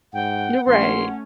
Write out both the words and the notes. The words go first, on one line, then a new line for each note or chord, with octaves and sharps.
You're right.
G#2 F#5 G5
A#1 A3 C#4 C6